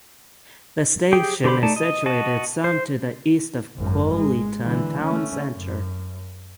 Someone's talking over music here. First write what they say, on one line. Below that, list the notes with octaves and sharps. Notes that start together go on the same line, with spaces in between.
The station is situated some to the east of Colyton town centre.
G4 G#4 G5
D3 G4 C5 B5 D6
A3 D#4 D5 A5
D#5
F#4 D#5 A5
C5
G#1 F#2
G#3
D3 E3
A3 C#4
F#2